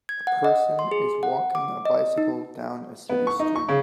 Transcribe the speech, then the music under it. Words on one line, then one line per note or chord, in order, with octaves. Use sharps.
A person is walking a bicycle down a city street.
G#6
F#5
D#5
C6
G#4
F#5
D6
D#5
D#4
B3
C#6
D#4
C#6
C#3